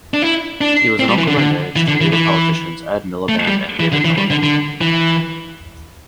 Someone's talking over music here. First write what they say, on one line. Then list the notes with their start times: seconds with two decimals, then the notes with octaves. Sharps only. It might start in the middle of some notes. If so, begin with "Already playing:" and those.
He was an uncle by marriage to Labour politicians Ed Miliband and David Miliband.
0.14 D4
0.22 E4
0.61 D4
1.00 C4
1.08 G3
1.18 E3
1.27 D3
1.38 D3
1.76 E3
1.88 D3
2.01 E3
2.13 E3
3.29 A3
3.48 G3
3.80 E3
3.92 D3
4.05 E3
4.18 G3
4.30 D3
4.43 D3
4.81 E3